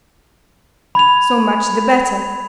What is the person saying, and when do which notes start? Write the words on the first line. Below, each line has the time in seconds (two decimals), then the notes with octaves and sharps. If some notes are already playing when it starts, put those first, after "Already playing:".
'So much the better.'
0.95 B5 G#6 F7